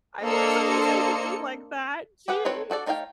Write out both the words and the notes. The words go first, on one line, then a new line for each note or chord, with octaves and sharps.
"I want somebody to sing to me like that, geez."
A#3 D4 A4 C5 D#5 C#7
G4 G#4 B4 F#5
D#3 C4 A4 B4 C#5
D4 F#4 A4 D5
A3 D#4 C#5 F5 G5